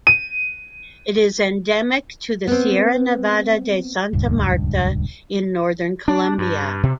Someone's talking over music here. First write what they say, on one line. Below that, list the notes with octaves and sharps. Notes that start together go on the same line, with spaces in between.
It is endemic to the Sierra Nevada de Santa Marta in northern Colombia.
D#7
B3 C4
D#1 C#2 G2
D4
G2
C3